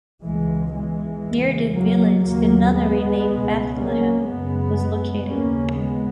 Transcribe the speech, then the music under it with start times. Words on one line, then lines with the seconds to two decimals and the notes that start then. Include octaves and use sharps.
Near the village the nunnery named Bethlehem was located.
0.23 C#2 B2 E3 G#3
0.74 E3 G#3
1.24 E2
1.29 C#3
1.74 F#3 A#3
2.24 D#2 C#3 F#3 A#3
2.74 G#3 B3
3.25 C#2 B2
3.75 A#3 C#4
4.25 F#2 C#3 G#3 B3
5.25 D#2 C#3 A#3 C#4
5.76 G#3 B3